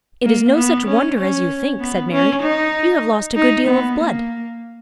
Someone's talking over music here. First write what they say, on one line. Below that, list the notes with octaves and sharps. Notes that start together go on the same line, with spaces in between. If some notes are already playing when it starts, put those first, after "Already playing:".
"It is no such wonder as you think," said Mary; "you have lost a good deal of blood."
A#3
B3
C#4
C#4
B3
C#4
D#4
D#4
B3
A#3